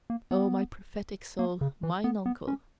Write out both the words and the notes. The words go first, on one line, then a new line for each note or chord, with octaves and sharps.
"Oh, my prophetic soul, mine uncle."
A#3
B3
A#3
C#3
E3
B3
B3
C#4